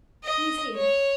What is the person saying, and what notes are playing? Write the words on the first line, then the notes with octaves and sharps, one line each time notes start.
He's here.
D#5
C#5